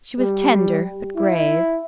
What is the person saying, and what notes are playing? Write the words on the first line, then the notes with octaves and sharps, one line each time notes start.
She was tender, but grave.
G3
E4